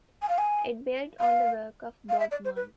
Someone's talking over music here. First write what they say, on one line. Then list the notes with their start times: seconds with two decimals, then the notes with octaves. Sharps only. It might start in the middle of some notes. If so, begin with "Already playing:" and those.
It built on the work of Bob Muns.
0.22 G#5
0.29 F5
0.38 G#5
1.19 F5
2.09 F5
2.19 E5
2.31 D5
2.44 C5
2.56 B4